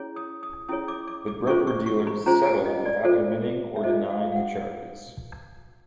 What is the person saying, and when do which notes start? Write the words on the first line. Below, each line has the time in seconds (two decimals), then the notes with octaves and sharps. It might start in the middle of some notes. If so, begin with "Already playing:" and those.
The broker-dealers settled without admitting or denying the charges.
Already playing: C#4 E4 G#4 C#5
0.16 D#6
0.43 D#6
0.69 C#4 E4 G#4 C#5 D#6
0.88 D6
1.07 D6
1.28 D6
1.47 C#4 F4 G#4 C5 C#6
1.67 C#6
1.86 C#6
2.07 B5
2.26 C#4 F4 G#4 C5 A#5
2.46 G#5
2.66 D#5
2.86 D5
3.05 F4 A4 C5
3.76 E5
3.83 F4 A4 C5 D#5
4.10 F5
4.32 F5
4.36 F#5